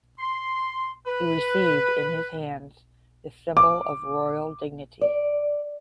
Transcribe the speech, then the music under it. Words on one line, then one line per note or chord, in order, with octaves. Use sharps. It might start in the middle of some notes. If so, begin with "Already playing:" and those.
He received in his hands the symbol of royal dignity.
C6
B4
D6
D5